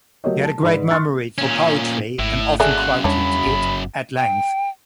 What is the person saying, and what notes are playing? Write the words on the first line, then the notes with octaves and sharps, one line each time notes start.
He had a great memory for poetry and often quoted it at length.
F#3 A3 G4 A#4 C#5 D#5
A5
G#2 B4 D5 B5
C6 C#6 F6 F#6 A6 C#7
A#2 C#4
G#1 A2
F#2 C#3 G#3 A3 D5 F#6
E2 G3 D4 C#5 B5
G1
G5